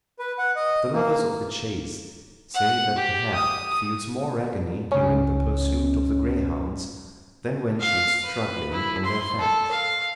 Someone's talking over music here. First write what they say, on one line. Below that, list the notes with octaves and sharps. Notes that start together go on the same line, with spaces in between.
The lovers of the chase say that the hare feels more agony during the pursuit of the greyhounds, than when she is struggling in their fangs.
B4
F#5
D#5
A#3
F#5
G4
D#6
C#2 C#4
F5
B4
E4
C6
A4
F5